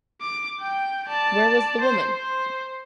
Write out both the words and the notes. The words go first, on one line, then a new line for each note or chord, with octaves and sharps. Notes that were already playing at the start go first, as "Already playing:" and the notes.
Where was the woman?
D6
G5
D5 A5
C5
C5